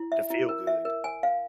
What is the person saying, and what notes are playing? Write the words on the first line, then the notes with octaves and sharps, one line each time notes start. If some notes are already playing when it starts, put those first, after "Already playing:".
to feel good.
Already playing: E4
E5
E4
A#4
E5
A#4
G#5
F5